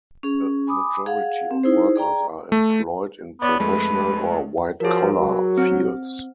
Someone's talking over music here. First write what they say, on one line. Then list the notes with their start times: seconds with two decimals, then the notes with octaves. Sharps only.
A majority of workers are employed in professional or white collar fields.
0.23 C#4 G#4
0.67 G#5 B5 D6 D#6
1.06 G#4 F5 F#5
1.51 C4
1.63 D#4 E4 G#4 C5
1.96 G#4 D5 G5 A#5
2.52 A3
3.42 B3 C#5 D5
3.60 F2 G#3 A3 B4
4.80 F3 F#3 G#4 A#4
5.18 F#3 F#4
5.58 C4